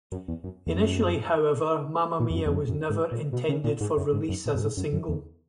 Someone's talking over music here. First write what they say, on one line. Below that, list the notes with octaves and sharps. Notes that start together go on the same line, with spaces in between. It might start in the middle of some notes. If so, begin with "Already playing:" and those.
Initially however, "Mamma Mia" was never intended for release as a single.
F#2
E2
F#2
E2
F#2
A#2
E2
F#2
E2
F#2
F#2
G#2
A#2
B2
C#3
A#2
G#2
F#2
G#2
F#2
A#2
F#2
G#2
F#2
F#2
E2